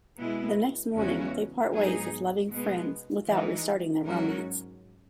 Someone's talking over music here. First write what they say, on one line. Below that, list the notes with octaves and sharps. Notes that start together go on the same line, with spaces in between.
The next morning, they part ways as loving friends without restarting their romance.
B2 G#3 B3 E4
E2 C#3 G#3 C#4 F#4
G#2 F#3 B3 D#4 G#4
B2 G#3 B3
E3 G#3 D#4
G#2 F#3 C#4 F#4 A#4